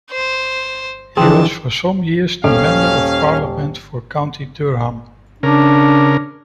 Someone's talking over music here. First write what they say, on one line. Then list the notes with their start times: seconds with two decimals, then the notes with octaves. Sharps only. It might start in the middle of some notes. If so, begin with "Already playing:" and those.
He was for some years the Member of Parliament for County Durham.
0.11 C5
1.17 E3 F3 C4 D4 G#4 A5
2.44 D#1 C#4 A4 F5 F6
5.43 C#3 D4 A#4